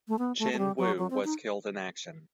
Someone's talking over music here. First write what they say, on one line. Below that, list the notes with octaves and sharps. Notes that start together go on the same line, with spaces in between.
Chen Wu was killed in action.
A3
B3
A3
A3
G3
F#3
F#3
C4
D#4